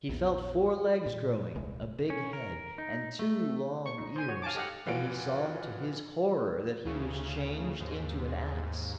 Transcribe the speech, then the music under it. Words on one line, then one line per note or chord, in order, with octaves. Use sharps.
He felt four legs growing, a big head, and two long ears, and he saw to his horror that he was changed into an ass.
A#1 E2 B3
A#2
D#1 C2 G#3
C#4
A#4
D#4
A3
C#6
D#4
C5 G#5
F#4 C#5
F5 G#5 A5 D6
G4 A4 D#5 F5 F#5
F1 E3 F4 F#4 D7
D2 C#3
D#2 G#2